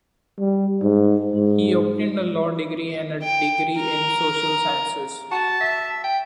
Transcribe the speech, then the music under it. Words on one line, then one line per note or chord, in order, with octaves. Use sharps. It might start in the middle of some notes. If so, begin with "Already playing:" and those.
He obtained a law degree and a degree in Social Sciences.
G3
G#2
G#2
G5
A#4
F#4 A5
E5
G5